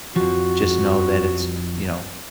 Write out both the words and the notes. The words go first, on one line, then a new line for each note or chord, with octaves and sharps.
just know that it's," you know,
F2 F3 F#4